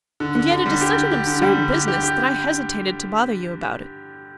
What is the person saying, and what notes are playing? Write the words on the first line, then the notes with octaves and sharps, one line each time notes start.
And yet it is such an absurd business, that I hesitated to bother you about it.
D3
D3
D3
G3
G4
D3
G4
D3
G3
D3
G4
G4
G4